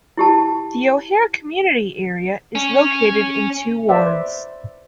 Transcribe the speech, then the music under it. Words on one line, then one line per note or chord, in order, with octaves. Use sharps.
The O'Hare community area is located in two wards.
E4 G4 A5
C#4
B4 C5 D5 E5